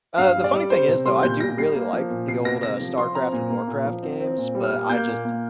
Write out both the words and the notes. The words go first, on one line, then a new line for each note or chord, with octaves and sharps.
Uh, the funny thing is though, I do really like the old, uh, StarCraft and Warcraft games, but I just
G2 F5
G3
D5
G3
C4 C5
C3
G3 C6
A#2 G6
A#2 A#6
G3 C7
A#3
F3
A#2
C3 C7
A#3 A#6
C3 A#6
F3
F3 C6
C4 A#5
A#2
A#3
A#2
F3
C4
C4
A#2
G3
F6
A#3
A#3 G6
A#2
A#3